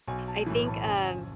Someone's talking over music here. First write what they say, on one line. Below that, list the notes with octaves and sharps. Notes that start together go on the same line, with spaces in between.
I think, um,
B1 G#5
A5
A2 E3
A5
F#1 A5
G#5